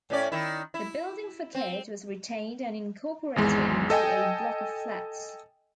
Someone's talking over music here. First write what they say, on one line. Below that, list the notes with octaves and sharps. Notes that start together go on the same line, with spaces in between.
The building facade was retained and incorporated into a block of flats.
A2 C#4 D5
D#3 E4
E4
C4
G#1 E2 G#3
A4 D#5 G5 G#5